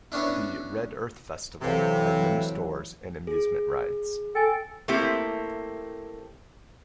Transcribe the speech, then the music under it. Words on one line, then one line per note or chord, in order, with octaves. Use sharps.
The 'Red Earth Festival' had many stores and amusement rides.
B3 C#4 D4 E4
C3 E3 F#3 A4 C5 F5
G#4
A4 G5 G#5
A3 A#3 C4 E4 G4